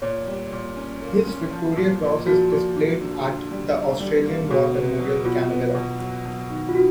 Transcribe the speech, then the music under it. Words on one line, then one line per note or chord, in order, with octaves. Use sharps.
His Victoria Cross is displayed at the Australian War Memorial, Canberra.
A#2 C#5
G3
A#2
C#4
A#3
C#4
F3
A#2
A#2
F3 F#4
A#2
A#2
D3
D3
G3
D3
G3
A#3
B2 F#4
B3
F#3
B2 F4
B3
B2
F#3
F#3
D#3
F4
D#3 F#4